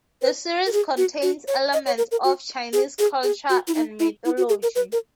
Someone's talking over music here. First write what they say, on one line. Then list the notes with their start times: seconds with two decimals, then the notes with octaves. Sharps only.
The series contains elements of Chinese culture and mythology.
0.22 B4
0.66 A#4
0.72 G#4
0.97 F#4
1.22 F#4
1.48 C#5
1.73 D#5
1.86 C#5
1.98 A#4
2.12 A#4
2.24 F#4
2.73 G#4
2.99 G#4
3.24 G#4
3.50 F#4
3.68 E4
3.75 D#4
4.00 E4
4.25 E4
4.37 F#4
4.49 G#4
4.63 A#4
4.75 B4
4.92 A#4